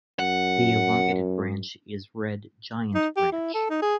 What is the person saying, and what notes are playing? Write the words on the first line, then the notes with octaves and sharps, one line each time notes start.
The elongated branch is Red giant branch.
F#2 F#5
D#4
G4
E4
A4
D#4
G#4